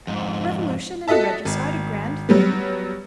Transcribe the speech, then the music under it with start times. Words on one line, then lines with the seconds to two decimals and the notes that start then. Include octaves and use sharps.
Revolution and regicide a grand thing?...
0.07 F2 G#2
1.08 F#4 A4 D#5 E5 A5
1.45 G#1
2.29 F#3 G3 B3